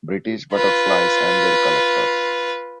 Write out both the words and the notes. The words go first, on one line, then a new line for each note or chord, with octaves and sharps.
British Butterflies and their Collectors.
F4 B4